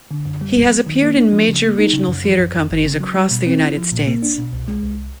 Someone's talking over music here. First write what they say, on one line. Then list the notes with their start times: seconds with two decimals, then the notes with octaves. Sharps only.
He has appeared in major regional theater companies across the United States.
0.11 D3
0.26 F#2
0.41 G3
0.56 B3
0.71 F#3
0.87 D#3
1.02 A#3
1.18 D4
1.33 F3
1.48 C#3
1.64 A#3
1.79 D#4
1.93 C#3
2.09 F#2
2.24 F3
2.39 F#2
2.55 F2
2.70 G1
2.85 C#3
3.00 F#3
3.16 G3
3.31 B2
3.46 C4
3.62 E4
3.77 F3
3.92 A#2
4.07 A#3
4.23 D4
4.38 B2
4.52 C2
4.68 G#3
4.83 C2